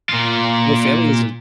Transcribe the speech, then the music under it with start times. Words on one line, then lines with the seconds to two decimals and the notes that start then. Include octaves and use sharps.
no family is a
0.09 A#2 F4